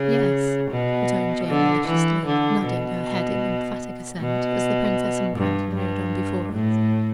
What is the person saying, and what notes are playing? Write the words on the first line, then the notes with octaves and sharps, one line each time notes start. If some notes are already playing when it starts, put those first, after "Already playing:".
"Yes," returned Jane maliciously, nodding her head in emphatic assent, as the princess and Brandon rode on before us.
Already playing: C#3
B2
D3
E3
D3
B2
B2
G2
G2
A2